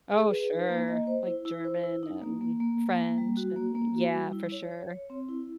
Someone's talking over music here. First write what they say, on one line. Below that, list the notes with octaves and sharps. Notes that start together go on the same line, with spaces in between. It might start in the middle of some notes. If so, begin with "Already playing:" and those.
Oh sure, like, German, um, French an Yeah, for sure.
G#4
B4
D#4
A#3
D#5
C5
E4
E4
C5
E4
D#4
A#3
A#3
A#3
A#3
A#3
G3
F#4
A#3
A#3
F#4
G3
E4
C#5
C#5
C#5
C4
E4